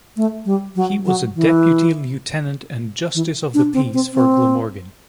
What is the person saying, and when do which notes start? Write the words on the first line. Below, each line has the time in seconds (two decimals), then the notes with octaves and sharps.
He was a Deputy Lieutenant and Justice of the Peace for Glamorgan.
0.16 A3
0.45 G3
0.76 F#3
1.05 F#3
1.35 E3
3.14 E3
3.54 D4
3.73 C4
3.93 C4
4.13 C4